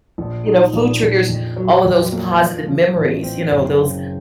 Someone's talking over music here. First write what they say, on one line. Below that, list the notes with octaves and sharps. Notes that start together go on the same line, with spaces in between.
You know, food triggers all of those positive memories, you know, those
A#1
D#4
A#1
A#1
F2
F#3
F2
A#3
F3
F3
A1
C4
F#1
C#3